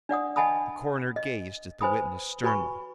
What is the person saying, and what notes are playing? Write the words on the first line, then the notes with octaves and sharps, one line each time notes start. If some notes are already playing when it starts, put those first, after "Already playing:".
The coroner gazed at the witness sternly.
D4 D5 F#5 D#6
D#5 F#5 G#5 A5 B5 D#6
D#5
B4 C5 G#5 B5 D#6
F#4 B4 G#5 B5 C#6